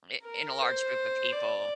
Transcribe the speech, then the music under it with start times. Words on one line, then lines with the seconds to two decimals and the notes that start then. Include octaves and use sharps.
in in a large group of people
0.24 A#4
0.61 C5
1.33 D5